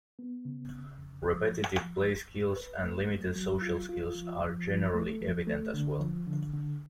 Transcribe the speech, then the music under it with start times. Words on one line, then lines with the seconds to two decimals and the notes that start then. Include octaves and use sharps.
Repetitive play skills and limited social skills are generally evident as well.
0.19 B3
0.45 C#3
0.71 C#3
0.98 F2
1.24 F3
1.51 F2
1.77 F3
2.04 F2
2.30 F2
2.56 B4
2.83 A3
3.09 F#3
3.36 F#3
3.62 F4
3.89 F4
4.15 F3
4.41 F3
4.68 F3
4.94 A3
5.21 F3
5.47 A3
5.74 D3
6.00 F3
6.27 D3
6.53 D3